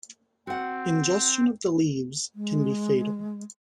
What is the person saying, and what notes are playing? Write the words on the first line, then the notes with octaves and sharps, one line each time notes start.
Ingestion of the leaves can be fatal.
C4 F#4 F#5
G#3